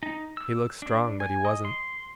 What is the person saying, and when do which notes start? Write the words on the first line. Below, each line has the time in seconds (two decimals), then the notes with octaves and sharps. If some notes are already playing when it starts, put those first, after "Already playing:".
He looked strong, but he wasn't.
0.03 D#4
0.37 E6
0.82 D4
1.20 G#5
1.45 D#5
1.65 C6